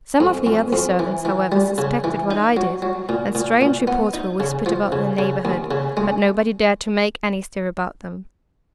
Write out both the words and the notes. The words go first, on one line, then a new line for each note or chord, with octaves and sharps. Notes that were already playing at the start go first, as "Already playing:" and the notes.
Some of the other servants, however, suspected what I did, and strange reports were whispered about the neighbourhood, but nobody dared to make any stir about them.
F2
F2
F2
E3
E3
G3
C#3
E3
D#4
F#3
F#3
A#2
A#2
A#2
B3
D#4
C#3
F3
C#3
C#3
D#2
C#3
G#3